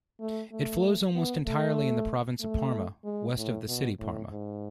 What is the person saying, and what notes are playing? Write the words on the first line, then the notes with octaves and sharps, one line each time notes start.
It flows almost entirely in the province of Parma, west of the city Parma.
A3
A3
B3
A3
A3
G#3
A2
B2
A2
G#2